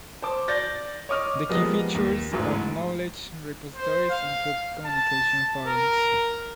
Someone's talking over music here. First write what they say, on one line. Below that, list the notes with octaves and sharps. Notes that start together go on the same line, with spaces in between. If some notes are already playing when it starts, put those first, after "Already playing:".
The key features of knowledge repositories include communication forums.
C5 A5 D6
D5 G6 A6 A#6
C#5 D#5 D6 F6
F3 G3 G#3 A#3 B3 D#5
D#2
E1 A1 G#2
C5
F5
A5
A#4